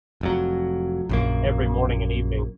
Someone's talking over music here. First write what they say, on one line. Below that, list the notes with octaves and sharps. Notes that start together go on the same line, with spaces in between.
Every morning and evening.
F1 F2 F#3
A#1 F#2 A#3